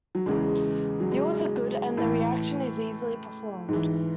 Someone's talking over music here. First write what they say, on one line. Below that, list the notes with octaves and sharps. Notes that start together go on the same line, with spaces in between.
Yields are good and the reaction is easily performed.
F#3
E2 C#3 E3 G#3
F#3
G#3
A2 E3 A3
G#2 E3